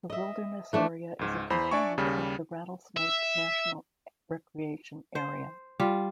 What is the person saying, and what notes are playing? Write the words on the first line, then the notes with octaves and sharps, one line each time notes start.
The wilderness area is a component of the Rattlesnake National Recreation Area.
D#5 E5
E3 A3 D4
C#2 G#2
E2 E4 C5 B5
D4 D5 E5 G#5 C#6
D#2 C#3 G3
E5
C5
G3 F4